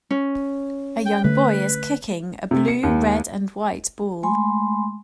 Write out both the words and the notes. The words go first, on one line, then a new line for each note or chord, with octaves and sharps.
A young boy is kicking a blue, red and white ball.
C#4
G5
D3 A3 B4
C3
C#7
D#2
G#3 A3 G#5 B5 C6